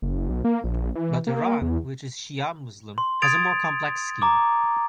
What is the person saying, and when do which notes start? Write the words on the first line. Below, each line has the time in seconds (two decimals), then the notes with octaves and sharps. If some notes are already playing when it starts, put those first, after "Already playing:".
But Iran, which is Shi'a Muslim, has a more complex scheme.
0.02 F#1
0.30 B1
0.44 A#3
0.64 A#1
0.95 E3
1.27 A#3
1.62 E2
2.98 C6
3.22 D#6 G#6 A6 D7 F7
4.22 A#5 D6